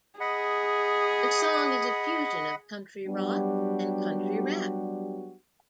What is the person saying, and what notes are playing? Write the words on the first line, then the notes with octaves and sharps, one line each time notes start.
The song is a fusion of country rock and country rap.
G#4 D#5 F#5 B5
F#3 G3 B3 D4 F#4 G4